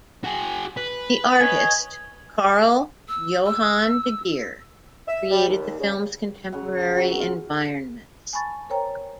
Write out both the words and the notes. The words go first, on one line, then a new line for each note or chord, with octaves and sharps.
The artist Carl Johan De Geer created the film's contemporary environments.
F#4 G#4
B4
C#5 D#5 G#5
E6
E6
E5
G3
D#2
C#3
C#3 F#3 C#5 F#5
F#3 F#4
F4
G#5 A5 B5 C#6 A6
A#4 C5 C#5 G5 A#5